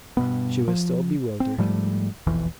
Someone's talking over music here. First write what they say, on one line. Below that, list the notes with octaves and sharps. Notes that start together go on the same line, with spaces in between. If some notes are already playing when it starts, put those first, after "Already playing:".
She was still bewildered.
G2 B2 B3
F3
C4
G#2 F3 G3 A3
E1 B1 F2 E3